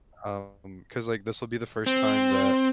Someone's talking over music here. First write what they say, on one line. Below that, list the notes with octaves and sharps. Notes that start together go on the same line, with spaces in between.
um, 'cause, like, this will be the first time that
C4